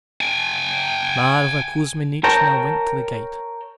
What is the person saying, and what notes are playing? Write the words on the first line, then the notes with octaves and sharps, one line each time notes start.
Mavra Kuzminichna went to the gate.
G5 G#5
A#4 C#5 G5 A5 A#5